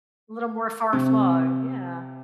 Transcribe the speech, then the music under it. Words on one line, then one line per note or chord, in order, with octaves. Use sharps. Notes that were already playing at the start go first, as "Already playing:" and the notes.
A little more far-flung, yeah.
C3